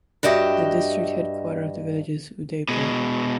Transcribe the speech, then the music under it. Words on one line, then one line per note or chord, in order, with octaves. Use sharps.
The District headquarter of the village is Udaipur.
G2 F#4 G4 D#5 E5
B2 G#3